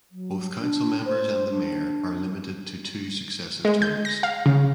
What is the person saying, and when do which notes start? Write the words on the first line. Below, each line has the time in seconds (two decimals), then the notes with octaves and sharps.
Both council members and the mayor are limited to two successive terms.
0.11 F#3
0.59 D4
1.05 C5
1.49 D4
3.65 G#3
3.82 G6
4.05 A#6
4.23 F5
4.46 C#3